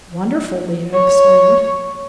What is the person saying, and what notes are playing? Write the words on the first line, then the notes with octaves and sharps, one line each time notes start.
"Wonderful!" Lea exclaimed.
C#5